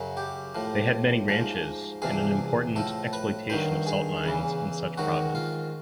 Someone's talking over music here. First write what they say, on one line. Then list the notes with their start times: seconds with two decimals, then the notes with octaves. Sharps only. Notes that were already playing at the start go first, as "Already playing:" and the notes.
They had many ranches and an important exploitation of salt mines in such province.
Already playing: F#2 C#3 F#3
0.17 G4
0.55 A2 F3
1.28 G#2 F3
2.02 E2 C3 F3 G#4
2.76 A2 F3 A4
3.13 B4
3.50 G2 D#3 F#3 C5
3.86 G#4
4.24 E2 C#3 E3
4.98 G#2 D#3 F#3 F#4
5.35 F4